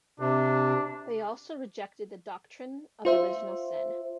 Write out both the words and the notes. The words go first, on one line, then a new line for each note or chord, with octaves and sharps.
They also rejected the doctrine of original sin.
C3 D4
F4 C5 E5